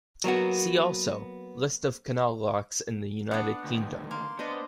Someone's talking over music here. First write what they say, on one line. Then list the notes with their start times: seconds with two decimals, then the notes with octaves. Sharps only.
"See also" List of canal locks in the United Kingdom.
0.24 F#3 A#3 B3 F#4
3.31 B3 D4 F#5
3.64 D2 D#3
4.11 A#3 C6
4.39 B3 D4 C5 D#5